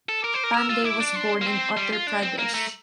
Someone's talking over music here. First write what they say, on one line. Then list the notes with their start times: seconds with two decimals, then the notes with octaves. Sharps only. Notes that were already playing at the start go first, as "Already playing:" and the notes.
Pandey was born in Uttar Pradesh.
0.09 A4
0.24 A#4 D6
0.34 C5
0.44 A#4
0.54 A#4 E6
0.70 F4
0.85 E4 D6
1.00 D4
1.16 C6
1.42 A#3
1.46 C4
1.77 G3
1.93 F4
2.07 D4
2.23 C4
2.38 A#3 A#5
2.54 A3